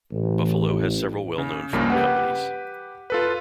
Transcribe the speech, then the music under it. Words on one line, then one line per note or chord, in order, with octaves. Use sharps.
Buffalo has several well-known food companies.
A1
C#3
C#2 G2 C#3 F3 A#3
G4 B4 F#5
F4 A4 B4